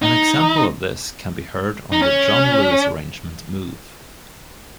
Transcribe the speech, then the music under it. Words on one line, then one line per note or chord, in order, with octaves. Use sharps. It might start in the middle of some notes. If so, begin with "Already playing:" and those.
An example of this can be heard on the John Lewis arrangement "Move".
D#4
D#4
C#4